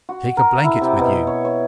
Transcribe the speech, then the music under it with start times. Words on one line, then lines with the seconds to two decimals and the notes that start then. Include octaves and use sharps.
"Take a blanket with you."
0.09 F#4
0.37 A#4
0.64 E4
0.82 C3
0.99 B2
1.27 C#5
1.45 C#5